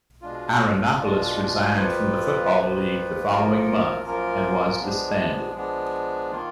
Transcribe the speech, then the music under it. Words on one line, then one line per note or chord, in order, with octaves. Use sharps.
Ironopolis resigned from the Football League the following month and was disbanded.
B2 G#3 D4 F4
B2 G#3 D4 F4
F2 F3 A#3 F4 B4
F2 F3 A#3 F4 B4
F#2 F3 A#3 F4 A#4
F#2 F3 A#3 F4 A#4
F3 G#3 B3 D4
F3 G#3 B3 D4
D#3 A#3 F4